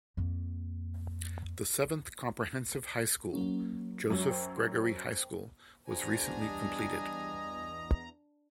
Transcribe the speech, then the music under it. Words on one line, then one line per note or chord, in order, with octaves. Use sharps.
The seventh comprehensive high school, Joseph Gregori High School, was recently completed.
F2 A#3
F#3 A#3 C#4
F#2 F#3
C5 G5
E2 D4 F#4 G#4 C5 G#5 A#5
G3 D#5